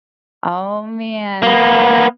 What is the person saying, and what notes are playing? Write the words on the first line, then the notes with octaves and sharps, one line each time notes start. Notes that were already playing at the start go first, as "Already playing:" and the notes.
oh man.
A#3 B3